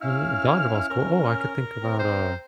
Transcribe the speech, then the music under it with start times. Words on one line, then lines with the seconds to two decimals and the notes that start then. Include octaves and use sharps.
Me uh, dodgeball's cool Oh, I could think about, uh
0.01 C#4 E4 F5 E6 F6
0.90 C#4 A#4
1.82 C4 A#5 F6
1.99 C5